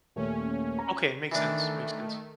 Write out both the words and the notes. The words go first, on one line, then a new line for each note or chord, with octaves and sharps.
Okay, makes sense, makes sense.
D#2 A#2 A3 C#4
A#5
D#3 E3 A3 D4